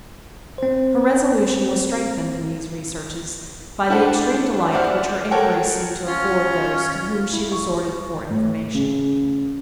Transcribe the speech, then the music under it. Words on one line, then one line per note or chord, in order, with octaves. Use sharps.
Her resolution was strengthened in these researches by the extreme delight which her inquiries seemed to afford those to whom she resorted for information.
C4 C5
D4 E4 A4 C5 D5 F#5
C5 D5 E5 F#5 F6
A4 A#4 C#5 F#5 G5
C#4 F4
E4
C#6
A2
C#3